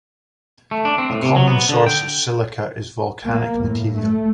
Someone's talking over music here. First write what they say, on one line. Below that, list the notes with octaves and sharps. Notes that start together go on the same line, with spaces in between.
A common source of silica is volcanic material.
A3
D4
C4
A2
C3
F#3
B3
D3
G5
A#3
A2
A3